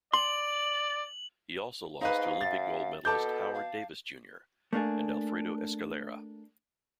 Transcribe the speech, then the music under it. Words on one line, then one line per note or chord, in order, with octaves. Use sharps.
He also lost to Olympic gold medalist Howard Davis Jr.. and Alfredo Escalera.
D5 C6 F#7
G#2 D#4 B4 F5
F#2 A6
B2 A4 A5 D6 G6
F5
A3 A#3 D4 G#4